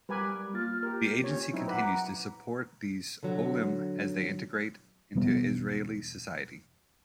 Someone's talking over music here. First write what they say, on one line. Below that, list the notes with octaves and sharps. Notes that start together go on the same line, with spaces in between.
The Agency continues to support these "olim" as they integrate into Israeli society.
G3 A#4 B4 G#5 D6
A#3 F4 F6 A6
G4 A#4
C#4 C#5
F#3 C4 D#4 E4
B4 F#5 A#5 D6
D3 F#3
E1 G3 B3